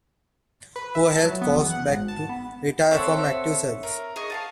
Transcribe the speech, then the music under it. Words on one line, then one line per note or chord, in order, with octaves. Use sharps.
Poor health caused Back to retire from active service.
B4
E5
A5
F#3
B3
E2
F#5
G#1
A5
B3
C4 A4 C#5 E5 F#5 C#6
A#4
G#4 D#5 C#6
F5 F#5 A5